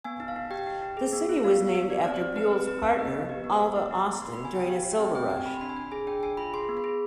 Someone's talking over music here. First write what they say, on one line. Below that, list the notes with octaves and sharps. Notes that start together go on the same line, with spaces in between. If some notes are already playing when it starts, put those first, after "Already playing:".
The city was named after Buell's partner, Alvah Austin, during a silver rush.
B3 G#5
D#4
F5
D#4
G4 G5
D#4
D#4
G#4
B3
F4
B3 F5
B3
F5
B3
G4 D5
C4 D5
C5
C4
D#4 B4
C4 B4
C4 B4
D#4 F5
B3 D#5
B3
G4 B4
B3
C5
B3
D#4
D#4
B3
B3 C6
B3 B5
G#5
D#4 G5
G4 F5
G4
G5
C4
C4 G5
G4 G#5
C4 B5
C6
D4 B5
G#5
D4 B5
G#4 G#5
D4 G5
D4 G#5
F4 B5
G#4 C6
B3
B5
G#4